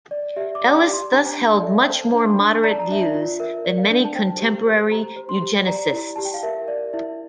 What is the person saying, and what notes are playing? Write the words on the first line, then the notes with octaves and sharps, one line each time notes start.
Ellis thus held much more moderate views than many contemporary eugenicists.
D5
G4 E5
D6
D5
D6
G4
C6
D4 A#5
D4
D5
A4 E5
F5
G5
C5 A5
D4
C6
D4
D5 A#5
A5
A#5
D4 E5
D5
F4
A#4 E5
D5
F5
D4
A5
C5 G5
G4
C5
G4 A#5
C5
C6
G4
D5 A#5
E4
G4 A5
G5
F5
A#4 E5
D5
E4 E5